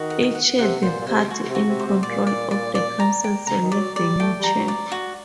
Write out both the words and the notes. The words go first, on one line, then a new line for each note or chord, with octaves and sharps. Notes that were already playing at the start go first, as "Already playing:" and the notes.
Each year the party in control of the council selects the new chair.
Already playing: D#3 F#4
F#5
F#5
C3 F#5
A#2 C5
A#2
C3 C5
F#4
C3
F#4
C3
C5
C3
A#2 D5
D5
D5
D5
A#5
G5
C3 A#5
D#3
F#3 D5
G3 D5
A3 G5
G3
A#5
F#3
D5
F#4